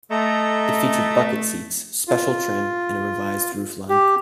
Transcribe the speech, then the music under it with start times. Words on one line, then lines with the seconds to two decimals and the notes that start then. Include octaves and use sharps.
It featured bucket seats, special trim, and a revised roofline.
0.11 A3 A4 D#5 A#5
2.08 F4
3.89 G4